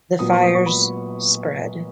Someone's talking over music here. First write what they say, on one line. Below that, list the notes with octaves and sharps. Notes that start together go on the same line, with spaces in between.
The fires spread.
A#2 F#3 B3 D#6
C#6
D#6
C#6
B5